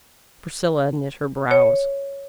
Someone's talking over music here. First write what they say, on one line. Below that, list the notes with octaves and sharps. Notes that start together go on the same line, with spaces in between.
Priscilla knit her brows.
C#5